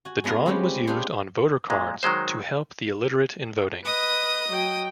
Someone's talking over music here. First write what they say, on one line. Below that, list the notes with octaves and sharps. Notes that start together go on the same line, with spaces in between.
The drawing was used on voter cards to help the illiterate in voting.
F#4 G#5
G#3 B3 D4 F4 A#4
G3 G#3 C4 C#4 G4 B4
D4 F4 G4 G#4 B4 C5
A#2 G#3
D#3 F#3 G#3 C5
B4 D#5 D#6
F#3 G5